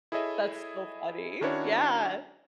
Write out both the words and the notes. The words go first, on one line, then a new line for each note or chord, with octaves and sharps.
That's so funny, yeah,
E4 G#4 A4 C#5 D#5 E5
D#3 C#4 D4 E4 F#4 C#5